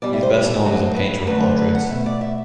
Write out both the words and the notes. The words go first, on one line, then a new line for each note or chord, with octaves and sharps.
He is best known as a painter of portraits.
B2 G3 D5
E5
C5
B4
A4
G4
A2 F#3 A3 A4
C5
B4
D3 F#3 A3 B4
C5
B4
F#5
B2 A3 E5
D5
E5